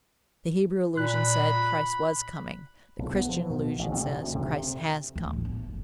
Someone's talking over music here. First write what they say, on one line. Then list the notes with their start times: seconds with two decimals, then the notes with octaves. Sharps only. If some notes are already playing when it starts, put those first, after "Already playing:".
The Hebrew illusion said, Christ was coming; the Christian illusion says, Christ has come.
0.97 A#2 B5 F#6
2.99 B1
3.15 B3
3.29 F3
3.50 B2
3.79 A1
3.95 C3
4.17 D2
4.35 C3
5.16 D2
5.33 A1
5.45 B3
5.66 F#1